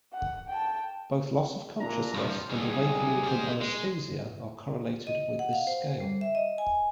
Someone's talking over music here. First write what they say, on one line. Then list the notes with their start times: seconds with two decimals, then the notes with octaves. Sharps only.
Both loss of consciousness and awakening from anesthesia are correlated with this scale.
0.13 F#5
0.49 G5 A5
1.80 A#2 D4 A#5
2.14 E2 G2 F3
2.49 B1 G3 G#4
3.23 G#2 C5
3.61 G#3
5.07 D#5
5.39 F#5
5.53 F5
5.67 C5
6.00 G3
6.21 E5
6.35 D#5
6.58 G#5